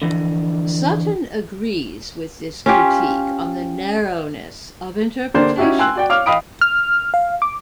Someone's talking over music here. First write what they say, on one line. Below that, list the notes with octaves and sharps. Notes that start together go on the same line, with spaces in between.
Sutton agrees with this critique on the narrowness of interpretation.
D3 E3 F3
C#4 F4 G4
D3 A#3 D4 G4 C5 D5
C#4 D#4 E4 F#4 G4
G5 G#5 C6 E6 F#6 F#7
F#4 D5 G5
C#5 F5 D6 F6
D#5 F5 G5 B5 D#6 D7
F6
F5
D6